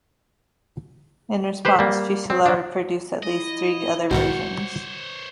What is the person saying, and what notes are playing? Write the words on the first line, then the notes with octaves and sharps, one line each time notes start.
In response, Fuseli produced at least three other versions.
G4 B4 C5
G3 A#3
C4
F#3 D4
E4 D#5
B1 G#2 D#3 F#4 C5 C#5